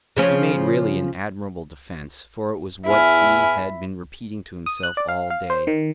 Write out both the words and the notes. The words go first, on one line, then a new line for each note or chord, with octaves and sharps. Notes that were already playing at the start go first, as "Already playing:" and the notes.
He made really an admirable defence, for it was what he had been repeating to himself all day.
C#3 F3 C#4
E2 E4 G#5 F6
D#6
F#6
D5
F5
F5
C5
D#3